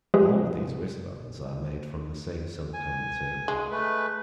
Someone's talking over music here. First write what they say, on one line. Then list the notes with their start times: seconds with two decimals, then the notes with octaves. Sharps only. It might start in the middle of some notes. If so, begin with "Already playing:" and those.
All of these wristbands are made from the same silicone material.
0.14 F3 G#3 G4 G#4 B4 E5
2.73 G#5
3.48 G#3
3.71 A3 B4